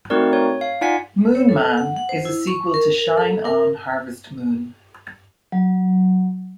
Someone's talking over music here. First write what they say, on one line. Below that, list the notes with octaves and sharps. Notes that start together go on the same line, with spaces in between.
Moon Man" is a sequel to "Shine on, Harvest Moon.
A3 C4 D#4 F#4 A#4 D5
C#5
F5
D#4 F4 D5 F#5 G#5 B6
C#5
A4
F#5
F#5
C5
E4
C#6
A#4
A#4
A4
A#4
F#3